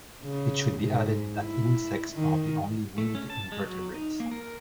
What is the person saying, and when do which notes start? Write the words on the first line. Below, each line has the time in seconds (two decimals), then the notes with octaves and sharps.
It should be added that insects are the only winged invertebrates.
0.24 C#3
0.80 G#2
1.37 E4
2.14 D#3
2.98 A3
3.15 C#4
3.30 A5
3.52 G#3
3.64 F#3
3.94 D#4
4.20 A#3
4.32 A#4